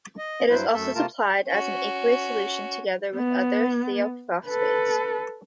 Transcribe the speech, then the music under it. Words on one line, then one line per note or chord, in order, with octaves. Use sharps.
It is also supplied as an aqueous solution together with other thiophosphates.
D#5
G2 F#3 E4 B4 C5
F#2 A3 A4 E5
C3 A3 A#3 F4 A#4 A5
C#4 F#4
B3
A4 B4